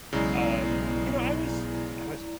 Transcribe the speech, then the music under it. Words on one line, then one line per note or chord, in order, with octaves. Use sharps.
um You know, I was I was
B1 C#3 G#3 E4 D5 A#5